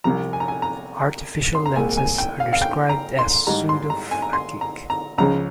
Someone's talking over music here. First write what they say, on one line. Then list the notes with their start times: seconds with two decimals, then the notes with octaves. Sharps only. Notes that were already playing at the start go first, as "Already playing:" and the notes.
Artificial lenses are described as pseudophakic.
0.04 C2 C3 F3 A#5
0.33 G#5
0.40 A#5
0.48 G#5
0.62 A#5
1.55 C6
1.66 A#5
1.76 C2 A#2 G#3 G#5
1.97 G#5
2.18 G5
2.40 F5
2.53 F5
2.62 G5
2.89 A#5
3.19 C6
3.47 G#2 D#3 G3 A#5
3.69 C6
3.90 A#5
4.11 G#5
4.22 A#5
4.33 C6
4.61 A#5
4.90 A#5
5.18 C#2 C#3 F3 G#3 A#5